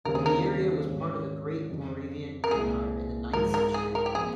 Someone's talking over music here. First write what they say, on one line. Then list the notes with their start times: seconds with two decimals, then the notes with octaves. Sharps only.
The area was part of the Great Moravian empire in the ninth century.
0.05 D#2 C#3 G3 C4 A#4
0.15 G#4
0.26 A#4
0.87 G#2 D#3 G3 C#4
1.69 F2 C#3 G3
2.44 A#4
2.51 C2 A#2 G#3 G#4
3.33 G#2 F3 G#3 A#4
3.54 A#4
3.74 G#4
3.95 A#4
4.06 G4
4.15 A#2 F3 C4 G#4